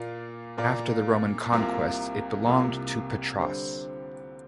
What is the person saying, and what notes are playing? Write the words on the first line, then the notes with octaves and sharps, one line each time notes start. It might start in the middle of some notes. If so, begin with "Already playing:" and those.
After the Roman conquest, it belonged to Patras.
Already playing: A#2 A#3 F4 D5
A#2 A#3 F4 D5
C2 C3 A#3 F4
C2 C3 A#3 F4
D3 G3 C4